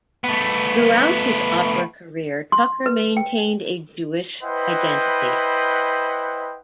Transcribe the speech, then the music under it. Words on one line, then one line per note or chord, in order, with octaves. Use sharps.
Throughout his opera career, Tucker maintained a Jewish identity.
A3 B3
C6
B4
G5
E4 B4 C5 D#5 F#5 G5